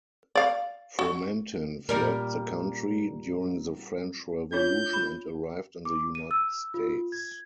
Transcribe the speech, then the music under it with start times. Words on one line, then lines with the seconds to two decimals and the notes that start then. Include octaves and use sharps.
Fromentin fled the country during the French Revolution and arrived in the United States.
0.35 D5 F5
0.99 F#4
1.89 A#2 G3 A#4
4.53 D4 F4 C#5 G6
4.89 F4 B5
5.85 D6
6.15 D#7
6.31 E6
6.74 F4
7.12 G#6